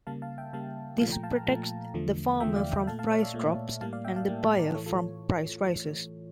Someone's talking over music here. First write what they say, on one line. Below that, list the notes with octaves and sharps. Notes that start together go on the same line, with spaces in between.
This protects the farmer from price drops and the buyer from price rises.
C#3 G3 A#3 F5 A5
F5 A5
E5 G5
C#3 G3 A#3 F5 A5
A#2 F3 A3 F5 A5
G5 A#5
F5 A5
G5 A#5
A#2 F3 A3 F5 A5
E2 D3 F3 A3
E2 D3 F3 A3 E5 G5
D5 F5
E5 G5
A#2 A3 F5 A5
F5 A5
C#5 E5
D5 F5
A#2 A3
A2 G3 A#3 F5 A5
D5 F5
E5 G5
F5 A5
A2 G3 A#3
F5 A5
A#4 D5
A2 E3 A3 A4 C#5
F4 A4
A4 C#5